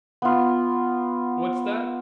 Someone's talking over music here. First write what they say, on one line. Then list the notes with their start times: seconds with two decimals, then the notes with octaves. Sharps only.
"What's that?"
0.22 B3 F4